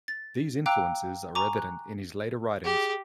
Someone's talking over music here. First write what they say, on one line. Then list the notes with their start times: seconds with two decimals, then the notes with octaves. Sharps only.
These influences are evident in his later writings.
0.08 A6
0.66 F5 G5 A#5 D6 E6 F#6
1.35 G#5 A#5 C#6 D6
1.58 F#6
2.64 G4 G#4